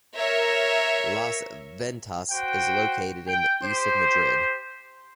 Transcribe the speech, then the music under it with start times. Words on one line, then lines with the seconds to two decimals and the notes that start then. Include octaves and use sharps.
"Las Ventas" is located in the east of Madrid.
0.16 A#4 C#5 E5
2.32 F#4 C5 G5
3.27 G5
3.63 G4 C5